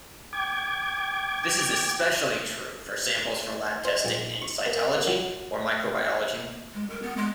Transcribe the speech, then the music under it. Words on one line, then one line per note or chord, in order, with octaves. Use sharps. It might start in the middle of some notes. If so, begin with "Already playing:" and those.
This is especially true for samples for lab testing in cytology or microbiology.
G5 D6 G#6
C5
A#1
C#6
A#3
A#3
F#3
G#3
A#4
B3
G#3